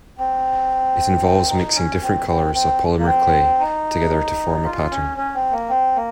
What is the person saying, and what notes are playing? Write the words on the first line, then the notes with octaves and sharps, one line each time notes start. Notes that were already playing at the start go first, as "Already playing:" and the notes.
It involves mixing different colors of polymer clay together to form a pattern.
C4
D#4
C#4
C4
C4
C4
A#3
C4
D#4
F4
C#4
C#4
C4
A#3
C4
A#3